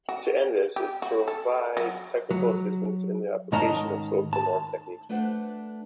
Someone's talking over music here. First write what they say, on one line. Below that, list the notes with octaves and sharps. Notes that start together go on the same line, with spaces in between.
To this end, it provides technical assistance in the application of social norm techniques.
F#4
G4
F#4
A4
F#3
F#3
G#2 D#3 C#4 D#5 A5 A#5
A5
A3 D4 B4 C5 F#5